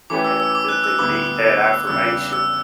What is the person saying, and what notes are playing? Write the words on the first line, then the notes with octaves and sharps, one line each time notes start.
and and they need that affirmation.
E3 A3 C#4 G4 B4 D6
E6
E6
D6
F#6
E6
D2 D3 G3 B3 D6
E2 C#3 G3 D4 G4 E6
E6